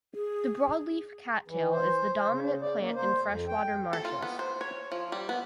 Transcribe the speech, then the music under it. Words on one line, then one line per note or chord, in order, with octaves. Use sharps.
The broadleaf cattail is the dominant plant in freshwater marshes.
G#4
E3
C5
C5
C#3
D5
A#3
C5
F2
G5
A4
F4
B3
C5
C#5
F3
G3
B3